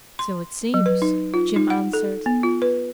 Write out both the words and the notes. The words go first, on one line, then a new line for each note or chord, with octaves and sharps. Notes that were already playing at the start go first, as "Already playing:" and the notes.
"So it seems," Jim answered.
C6
F#3
B4
D#4
F4
D#4
F#5
A4
B3
F4
B4